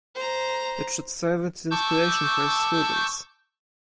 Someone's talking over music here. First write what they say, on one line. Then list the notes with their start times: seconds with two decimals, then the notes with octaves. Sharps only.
It should serve as inspiration for his students.
0.15 C5 A#5
1.71 A5 C#6 D6 E6 G6